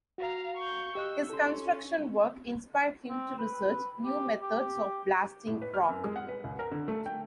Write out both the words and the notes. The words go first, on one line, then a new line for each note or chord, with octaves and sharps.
His construction work inspired him to research new methods of blasting rock.
F#4 F5 A#5
C#6 G6
G4 D#5 E6 F#6
C#4 A4 C6
C4
B4
G4
G4
G4
A2
B4
F6
F#2
G#3
F#5
B4
C#2
A#4
D3
A3
G5